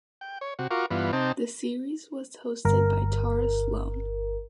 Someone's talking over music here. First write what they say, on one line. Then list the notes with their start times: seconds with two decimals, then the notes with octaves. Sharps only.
The series was hosted by Tara Slone.
0.21 G5
0.41 C#5
0.59 C3 F#4
0.71 F4 F#4 A#4 C#6 D6
0.91 G2 E3 B3 F4
1.13 C3 C4 D#4 G5 A5
2.65 G1 A#4